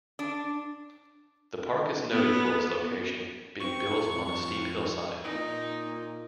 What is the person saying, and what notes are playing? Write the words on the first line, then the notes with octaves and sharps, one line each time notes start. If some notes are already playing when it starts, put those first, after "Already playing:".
The park is noted for its location - being built on a steep hillside.
D4
B3
C4 C#6
F2
A#2 D#4